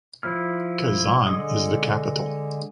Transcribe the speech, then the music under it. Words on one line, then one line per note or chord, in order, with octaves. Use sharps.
Kazan is the capital.
F3 E4 F6
D3 G#3 D#6